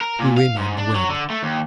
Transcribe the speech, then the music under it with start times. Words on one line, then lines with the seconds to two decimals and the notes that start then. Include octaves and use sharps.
It drew in on the web.
0.01 A#4
0.19 A#2
0.37 F5
0.57 G#2
0.78 D4
0.95 F#3
1.10 D3
1.30 A3
1.43 D#2